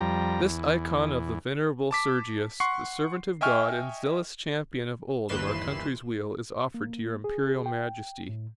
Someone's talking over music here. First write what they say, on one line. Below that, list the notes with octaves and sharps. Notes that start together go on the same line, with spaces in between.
This icon of the Venerable Sergius, the servant of God and zealous champion of old of our country's weal, is offered to Your Imperial Majesty.
F2 G3 A#5
E2
A5 D6 B6
F#5 C6 C#6 C7
D#5 E5 G5 G#5 C#6 F6
G1 D#2 E3 B4 C6 E7
A#3
G#4
G5
A2